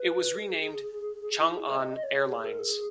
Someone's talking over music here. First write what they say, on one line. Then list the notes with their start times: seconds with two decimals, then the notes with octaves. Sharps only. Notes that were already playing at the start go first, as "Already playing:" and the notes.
It was renamed "Chang'an Airlines".
Already playing: B4
0.35 G#4
1.40 E4
1.55 G#4
1.70 D#5
1.81 D#5
1.92 D#5
2.03 C#5
2.15 C#5
2.29 G#4
2.44 A#4
2.59 G#4